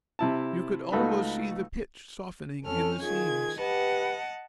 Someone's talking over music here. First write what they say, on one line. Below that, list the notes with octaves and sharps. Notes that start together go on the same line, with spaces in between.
You could almost see the pitch softening in the seams.
C3 E4 A5
C#2 A3 D#4 F#4 B4 B5
F2 C#4 A4 F6
D#3 F4 G#4 G#6
G4 B4 D#5 F#5 A5